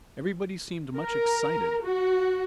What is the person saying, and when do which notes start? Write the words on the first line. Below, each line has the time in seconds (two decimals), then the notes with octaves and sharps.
Everybody seemed much excited.
0.96 A#4
1.83 F#4